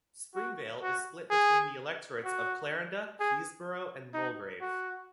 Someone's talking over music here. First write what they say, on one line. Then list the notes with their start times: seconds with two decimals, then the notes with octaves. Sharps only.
Springvale is split between the electorates of Clarinda, Keysborough and Mulgrave.
0.35 F#4
0.83 F#4
1.30 G#4
2.25 F#4
3.20 G#4
4.14 D#4
4.61 F#4